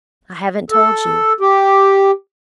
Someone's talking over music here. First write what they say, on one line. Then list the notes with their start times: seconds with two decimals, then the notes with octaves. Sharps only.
I haven't told you.
0.70 A4
1.40 G4